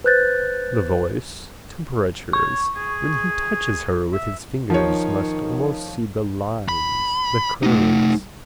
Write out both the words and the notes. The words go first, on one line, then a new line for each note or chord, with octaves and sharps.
The voice, temperatures: when he touches her with his fingers must almost see the lines, the curves.
B4 C5 F#6 G6 A6
C#5 C#6
G#4
E5
D#3 F3 C#5
B5
A3 D#4